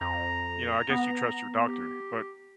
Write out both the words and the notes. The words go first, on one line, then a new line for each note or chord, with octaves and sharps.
you know, I guess you trust your doctor, but
F2 A#5
B3
G4